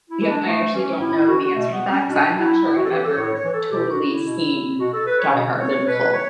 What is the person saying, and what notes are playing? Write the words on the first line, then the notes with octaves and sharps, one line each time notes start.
Yep. I actually don't know the answer to that, 'cause I'm not sure I've ever totally seen Die Hard in full.
E4
E3
D4
A2 A3
E3 C#4
A2 E4
E4
E3 F#4
F#4
B2 A3
B3
C#4
B2 D4
E4
A2 E4
F#4
A4
E3 G4
A4
A2 C#5
C#5
E3
A4
B2 G4
F#4
E4
B2
B2 F#4
A4
B4
C#5
B2
C#5
B2 B4
C#5